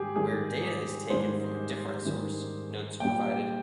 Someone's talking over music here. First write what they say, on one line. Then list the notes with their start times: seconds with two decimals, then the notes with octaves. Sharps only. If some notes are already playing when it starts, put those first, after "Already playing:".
Where data is taken from a different source, notes are provided.
Already playing: G#2 D#3 G3 G4 G#4
0.16 G#2 D#3 G3 G#4
1.10 G#2 D#3 G3 C5
2.05 G#2 D#3 G3
3.00 A#2 G3 G5